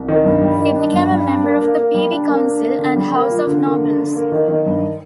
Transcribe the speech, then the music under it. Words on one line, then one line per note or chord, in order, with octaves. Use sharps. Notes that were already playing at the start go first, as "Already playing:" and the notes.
He became a member of the Privy Council and House of Nobles.
Already playing: C2
D#3
G2
G3
D#3
D4
G2
G3
D4
A#3
A#3
A#3
G3
D4
A#3
D4
A#3
D3
G3
A#3
F4
D3
A#3
D3
D3
A#3
D#3
D#3
G2